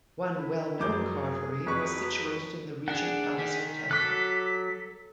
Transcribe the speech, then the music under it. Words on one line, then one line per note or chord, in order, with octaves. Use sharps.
One well known carvery was situated in the Regent Palace Hotel.
E4
F#2 G#4 D6 G6
F2 F#3 D#4 B4 C#6
D4 G#4 F#5
D#3 B6
F#3 A4 D6 F#6